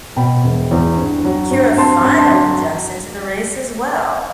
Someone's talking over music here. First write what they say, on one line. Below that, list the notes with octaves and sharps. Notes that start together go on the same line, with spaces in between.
Keira finally jumps into the race as well.
B2 G5 B5
E1
E2
G2
F#3
G2
C4 A5 C6
G2
A5 C6
F#3